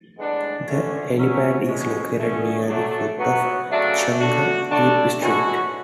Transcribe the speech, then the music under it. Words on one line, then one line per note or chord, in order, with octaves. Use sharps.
The helipad is located near the foot of Cheung Yip Street.
A2 G#3 B3 D4
D3 A3 C#4
F#3 C#4 E4
B2 G#3 C#4
D3 A3 C#4
F#3 A3 D4
F#3 B3 F#4
C#3 F#3 A3 D4 F#4
D3 A3 D4 F#4
D3 A3 D4 F#4
E3 G#3 C#4 F#4